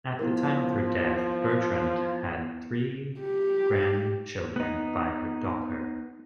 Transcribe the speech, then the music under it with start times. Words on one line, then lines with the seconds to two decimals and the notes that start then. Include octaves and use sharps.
At the time of her death, Bertrand had three grandchildren by her daughter.
0.19 F3 B3 E4 A#4
3.20 G4
4.56 B3 D#4